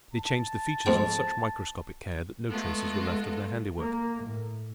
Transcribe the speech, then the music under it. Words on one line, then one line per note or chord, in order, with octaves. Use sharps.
They changed the features with such microscopic care that no traces were left of their handiwork.
A5
F2 G#2 G5
G#3 A3 B3 F4 A4
A#3
A2